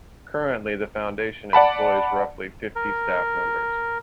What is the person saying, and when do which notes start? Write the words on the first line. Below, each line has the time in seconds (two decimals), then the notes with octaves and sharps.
Currently the Foundation employs roughly fifty staff members.
1.53 D5 F#5 A5 B5
2.76 A#4